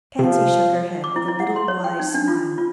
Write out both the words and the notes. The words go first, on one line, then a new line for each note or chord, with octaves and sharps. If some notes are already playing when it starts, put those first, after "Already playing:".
Pansy shook her head with a little wise smile.
C3 F3
D6
E4
E4
F#5
C6
C#5
G5
D#4
D4
F4
F4